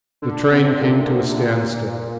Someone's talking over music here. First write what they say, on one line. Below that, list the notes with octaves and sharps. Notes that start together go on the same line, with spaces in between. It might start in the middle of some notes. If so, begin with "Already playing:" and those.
The train came to a standstill.
D3
C3
A#2
A#2